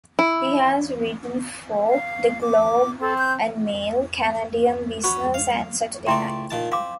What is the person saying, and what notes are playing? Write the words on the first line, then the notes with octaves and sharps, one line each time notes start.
He has written for "The Globe and Mail", "Canadian Business" and "Saturday Night".
E4
F5
D6
C4 A4
G6
C#4 F#4 B4
F5
C#2 A3 E4 D5 G5 C6
A#2 D#3 A5
C4 F5 D6